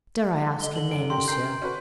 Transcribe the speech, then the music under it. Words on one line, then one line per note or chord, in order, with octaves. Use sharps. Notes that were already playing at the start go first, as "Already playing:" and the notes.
Dare I ask your name, monsieur?'
D3 D#5 G7
A4 F#7
F#2 D7
C#4 G4 A#4 C6
A#4 G5 G6 C7
C#4 F#4 B4